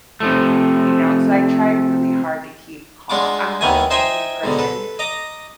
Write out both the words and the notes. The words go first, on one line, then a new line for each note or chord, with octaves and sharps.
You know? So I try really hard to keep calm, I'm not an angry person,
C3 F3 A3
G#3 D4 F4 F#5 D6
D#2 D#3 E3 B4 F#5 G#5
D#4 C5 E5 G5 G#5 C6
G#2 B2 D3
A4 B4
D#5 A#5 D6